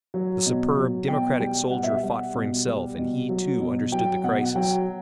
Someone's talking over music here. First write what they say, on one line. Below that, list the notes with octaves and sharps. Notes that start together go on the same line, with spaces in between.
The superb, democratic soldier fought for himself and he, too, understood the crisis.
F#3
B2
F#3
B2 G5
G3 G5
B2 F#5
E5
F#5
G3
B2
G3
B2
F#3
B2
F#3 G5
B2 F#5
F#5
F#3 G5